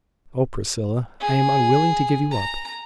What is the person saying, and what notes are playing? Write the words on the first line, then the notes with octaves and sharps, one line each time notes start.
Oh, Priscilla, I am unwilling to give you up!
G#4
A#5